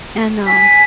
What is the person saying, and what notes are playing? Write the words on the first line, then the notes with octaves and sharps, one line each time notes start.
and, um,
G#5 B6